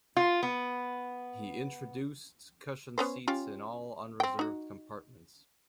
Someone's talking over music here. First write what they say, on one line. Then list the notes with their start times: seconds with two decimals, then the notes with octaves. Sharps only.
He introduced cushion seats in all unreserved compartments.
0.17 F4
0.43 B3
2.98 B3 C#4 C5
3.28 C#4 F4 G4
4.20 C4 G5
4.39 D#4 F#4